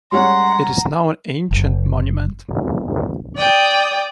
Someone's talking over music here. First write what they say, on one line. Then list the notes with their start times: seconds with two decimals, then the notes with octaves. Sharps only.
It is now an ancient monument.
0.12 G3 G#3 C#4 F#5 A#5 C6
1.51 F#1
3.35 D5 G5 D#6